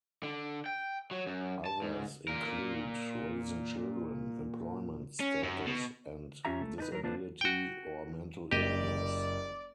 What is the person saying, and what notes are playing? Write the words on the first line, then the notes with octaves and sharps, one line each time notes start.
Others include raising children, employment status; and disability or mental illness.
D3
G5
F#3
F#2
A5
G#2
A#2 A#4
C#4
F#2
B2
F2 C#4 F4 G4 E5 A#5
A3
D4 D#4 B4
F#3 A#4
A#3 D4 F4 B4 C5
F#4 G5
F#1 G4 D5 D#5